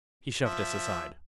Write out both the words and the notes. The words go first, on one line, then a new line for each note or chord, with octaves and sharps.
He shoved us aside.
F3 E5